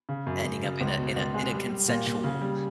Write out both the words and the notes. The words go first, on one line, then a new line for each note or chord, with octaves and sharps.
ending up in a in a in a consensual,
C#3
F#2
F#2
C#3
C#2
B2
C#2
G#3
G3
G3
A#2
A#2
C#3
G3